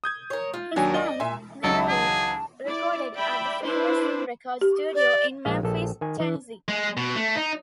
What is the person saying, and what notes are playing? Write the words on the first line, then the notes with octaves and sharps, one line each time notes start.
His band, Manalive, recorded at the famous Sun Records Studio in Memphis, Tennessee.
D#6 G6 G#6
A#4 C#5
F4
D#2 F#3 D4 F#4 A#4 G#5
D5 D#5
A#2 E5 G#5
C#2 F#3 D#4 A4 A5
G#4
E4 D5
D5 E5 G5 B5
D4 E4 B4 C5
G4
D5
A#1 G#3 F5
A#1 A4
D#3 G#5
E3
G#3
B2
A3
D#4